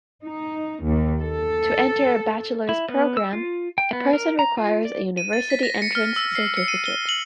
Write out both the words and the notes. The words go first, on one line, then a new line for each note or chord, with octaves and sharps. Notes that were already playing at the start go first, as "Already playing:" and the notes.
To enter a Bachelor's program, a person requires a University entrance certificate.
D#4
D#2
A4
E4
B3
E6
F4
G5
B3
A#4
A#5
F4
D5
D#7
A6
B6
A#6
C#7
F6
E6
C7
C#7
D#7
G7
F#7